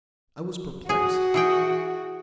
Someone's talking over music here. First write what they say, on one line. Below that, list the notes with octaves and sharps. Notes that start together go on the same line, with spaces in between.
I was perplexed.
F#4 G#4 G#5
E3 G#4 G5